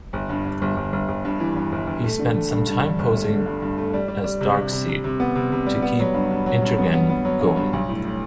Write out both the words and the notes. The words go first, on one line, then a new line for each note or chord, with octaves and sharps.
He spent some time posing as Darkseid to keep Intergang going.
G1
G2
G2
G1
G1
G1
G1
G2
E3
G2
G1
G1
A3
D3
A3
G2
G2
D3
G1
A3
D3
G2
G2
A3
G3
G3
G3
C3
C3
C3
C3
C3
B3
C3
C3
G3
B3
F#3
G2
G2
F#3
G2
B3
B3
B3
F#3
G2
G2
B1
A2
A2